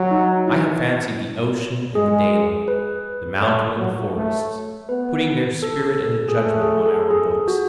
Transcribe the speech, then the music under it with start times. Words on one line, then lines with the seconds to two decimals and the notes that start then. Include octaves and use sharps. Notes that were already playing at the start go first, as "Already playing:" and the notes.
I have fancied the ocean and the daylight, the mountain and the forest, putting their spirit in a judgment on our books.
Already playing: F#3
0.11 D#4
0.48 E4
1.95 G#3 G#4
2.68 B4
3.42 A3 C#5
3.78 F#3
4.16 A3
4.89 B3 B4
5.63 A4
6.28 G#4
6.37 A3 A4
6.61 G#4
6.86 A4
7.11 G#4
7.48 F#4